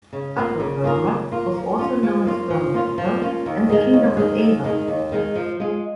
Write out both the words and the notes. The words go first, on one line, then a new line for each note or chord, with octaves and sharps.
Upper Burma was also known as Burma proper and the Kingdom of Ava.
C#3
A#3 F4 A#4
C#3
A#3 F4 A#4
C#3
A#3 F4 A#4
F3
A#3 C#4 F4
F3
A#3 C#4 F4
F3
A#3 C#4 F4
F3
A#3 C#4 F4
D#2
D#3 G#3 D#4 G#4
D#2
D#3 G#3 D#4 G#4
D#2
D#3 G#3 D#4 G#4
D#2
D#3 G#3 D#4 G#4
F3
G#3 F4 G#4